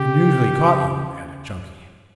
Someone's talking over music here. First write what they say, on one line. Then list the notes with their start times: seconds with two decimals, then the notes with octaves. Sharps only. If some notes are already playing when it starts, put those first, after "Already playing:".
"And usually caught you," added Chunky.
Already playing: C#3 G4